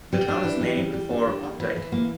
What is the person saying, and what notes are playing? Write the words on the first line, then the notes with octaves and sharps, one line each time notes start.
The town is named for Opdyke.
G3
D4
E3
G3
G3
G3
D4
G3
A#3
E3
E3
A#3